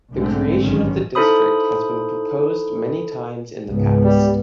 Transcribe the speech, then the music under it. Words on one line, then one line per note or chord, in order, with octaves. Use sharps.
The creation of the district has been proposed many times in the past.
B1 G#2 D3 A3 C4
A1 G2 D3 D#3 F#3 C#4
D#4 E4 A4 C5 B5 D#6
C#2 G#2 B3
G3